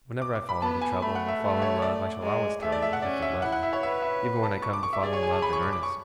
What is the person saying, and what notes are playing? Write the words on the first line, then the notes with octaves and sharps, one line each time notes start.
Whenever I fall into trouble, or fall in love, I shall always tell you, if you'll let me--even when I come to fall in love in earnest.'
D6
D6
B5
B3 A5
G#5
A3 B5
F#5
E5
A3
C#5
D5
G#3
A3 E5
D5
E5
F#5
C#4 D5
E5
E4 F#5
F#5
E5
C#5
B4 E5
E5
A5
C#6
D6
C#6
E5
G#4 D5
C#5
G#5
A5
B5
C#6
D6
D6
C#6